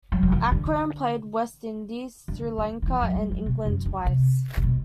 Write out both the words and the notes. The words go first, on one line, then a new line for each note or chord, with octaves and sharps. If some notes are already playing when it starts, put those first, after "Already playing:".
Akram played West Indies, Sri Lanka and England twice.
F#3
F#3
E3
D3
D3
D3
D3
E3
F#3
G3
F#3
B2
F#2
D3
C3
C3
B2